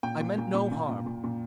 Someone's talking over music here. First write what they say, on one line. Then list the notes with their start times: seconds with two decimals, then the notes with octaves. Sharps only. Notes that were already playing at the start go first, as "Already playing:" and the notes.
I meant no harm.
0.03 A#2 G5
0.20 A#2
0.38 A#2
0.54 A#2
0.72 A#2
0.89 A#2
1.06 A#2
1.24 A#2